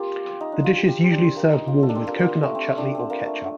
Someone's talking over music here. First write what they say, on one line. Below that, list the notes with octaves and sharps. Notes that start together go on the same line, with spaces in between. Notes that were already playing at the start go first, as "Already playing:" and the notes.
The dish is usually served warm with coconut chutney or ketchup.
Already playing: A#3 C4 F4 G4
D#4
D4
F4
G4
G4
C4
D4
C4
A#3
D#4
F4
A4
D4
C4
A#3
A#3
A3
C4
D4
C4
A#3
A3